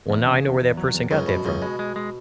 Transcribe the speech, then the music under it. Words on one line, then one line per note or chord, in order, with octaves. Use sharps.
Well, now I know where that person got that from.
E2
C#3
E2
E2
F#3
E2
C#2 F#2 C#3
F#2 B2
C#2 F#2 C#3
B2 G#3
G#3
G#3